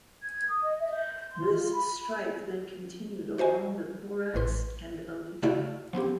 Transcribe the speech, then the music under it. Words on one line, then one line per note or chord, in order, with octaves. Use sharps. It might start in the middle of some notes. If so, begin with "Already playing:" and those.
This stripe then continued along the thorax and elytra.
G#6
D#6
D#5
E5
G6
G6
C6
F4
B5
B5
F#4 C5 D#5 G#5
A1 A2 B4 C6
C#3 A3 E4 F#4 D5 F5
F3 B3 C4 G4